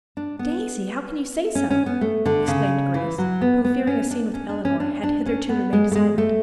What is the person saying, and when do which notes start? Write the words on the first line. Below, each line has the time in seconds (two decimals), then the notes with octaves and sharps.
"Daisy, how can you say so?" exclaimed Grace, who, fearing a scene with Eleanor, had hitherto remained silent.
0.17 D4
0.39 B3
1.55 C#4
1.70 C#4
1.86 B3
2.01 A3
2.25 D3
2.48 C#3
2.94 E3
3.18 F#3
3.41 B3
3.65 B3
3.87 C#4
4.11 D4
4.34 C#4
4.49 D4
4.65 C#4
4.80 D4
5.03 D4
5.26 C#4
5.49 B3
5.73 G#3
5.92 A3
5.95 G#3
6.18 A3